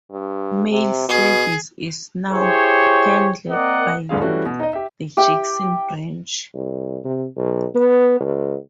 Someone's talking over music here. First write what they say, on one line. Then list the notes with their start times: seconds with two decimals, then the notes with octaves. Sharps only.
Mail service is now handled by the Jackson branch.
0.11 G2
0.71 C3
1.09 B2 G#4
2.30 E4 G4 G#4 C5 C#5
3.49 A#3 C4 A#4 D5 D#5 F#5
4.09 D1 G2 D3 G#4 F5
4.22 E3 G3 A3 C#4 F#4
4.45 B2
4.60 D#4 D#5
4.73 G4 E5
5.17 G4 E5 G5
6.54 C2
7.04 C3
7.37 B1
7.75 B3
8.20 C#2